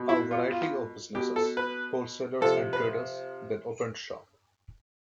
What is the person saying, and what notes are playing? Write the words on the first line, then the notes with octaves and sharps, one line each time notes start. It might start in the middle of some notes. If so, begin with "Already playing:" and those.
A variety of businesses: wholesalers and traders, then opened shop.
Already playing: B2
E4
F4
F4
B2 G4
A4
B4
C3 F3 A4
B4